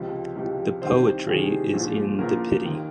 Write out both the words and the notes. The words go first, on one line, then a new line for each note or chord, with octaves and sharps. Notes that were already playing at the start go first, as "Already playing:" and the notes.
The Poetry is in the pity.
Already playing: C#2 C3 F3
C#2 C3 F3
C2 C3 D#3 C5
C2 C3 D#3 G#4
A#1 A#2 F3
A#1 A#2 F3 A#4
D#2 D#3